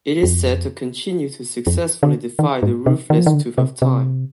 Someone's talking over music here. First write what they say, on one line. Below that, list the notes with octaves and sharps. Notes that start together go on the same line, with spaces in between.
It is said to continue to successfully defy the ruthless tooth of time.
F2
F2
D3
D#3
G#2
C3
D#3
F3
D#3
D3
C3
C3